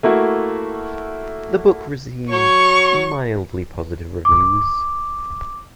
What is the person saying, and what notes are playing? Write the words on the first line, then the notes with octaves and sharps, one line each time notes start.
The book received mildly positive reviews.
A3 A#3 E4 F#4
F#3 C#5 C#6
D6